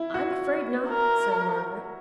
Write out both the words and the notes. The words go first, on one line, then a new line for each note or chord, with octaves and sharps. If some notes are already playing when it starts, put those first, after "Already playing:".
'I'm afraid not,' said Margaret.
Already playing: E4
F#4
A#4